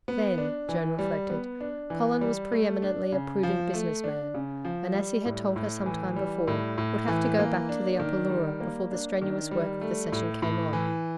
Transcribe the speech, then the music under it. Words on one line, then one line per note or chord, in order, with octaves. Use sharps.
Then, Joan reflected, Colin was pre-eminently a prudent business man, and, as he had told her some time before, would have to go back to the Upper Leura before the strenuous work of the Session came on.
B3
D4
E3
G3
B3
D4
E3
G3
A3
D4
C#3
F3
A3
D4
C#3
F3
G3
A2
A2
E3
G3
A2
A2
E3
A#3
D4
D#3
G3
A#3
D4
D#3
G3
A3
A2
A2
E3